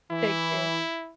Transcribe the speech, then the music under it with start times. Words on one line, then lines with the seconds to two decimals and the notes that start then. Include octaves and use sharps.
Take care.
0.11 E3 E4